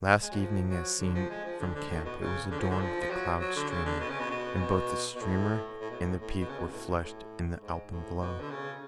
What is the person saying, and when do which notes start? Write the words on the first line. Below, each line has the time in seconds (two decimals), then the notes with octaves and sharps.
Last evening as seen from camp it was adorned with a cloud streamer, and both the streamer and the peak were flushed in the alpenglow.
0.22 G#3
0.31 F#3
0.40 F3
0.69 F#3
1.00 D3
1.15 F3
1.30 G#3
1.45 F3
1.60 D3
1.75 D3
1.89 A2
2.05 B2
2.20 C#3
2.50 D3
2.59 F3
2.70 D3
2.80 F3
3.01 F3
3.10 F#3
3.40 F#3
3.55 D3
3.70 C#3
3.85 D3
4.00 B2
4.10 C#3
4.20 B2
4.30 B2
4.55 C#3
4.60 B2
5.15 B2
5.21 A2
5.81 A2
5.90 B2
6.00 A2
6.21 A2
6.40 B2
6.49 C#3
6.58 B2
6.71 A2
7.01 A2
7.61 G#2
7.90 A2
8.21 B2
8.40 D3
8.51 C#3